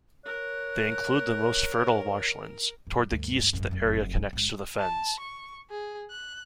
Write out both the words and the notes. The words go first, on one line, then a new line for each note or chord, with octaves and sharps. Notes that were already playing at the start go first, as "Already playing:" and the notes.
They include the most fertile marshlands; towards the geest the area connects to fens.
A#4 C#5 F#6
F#2
D2 G2
G#1 F#2
F1 F#2
A1 G#2
A5
C#6
G#4
F#6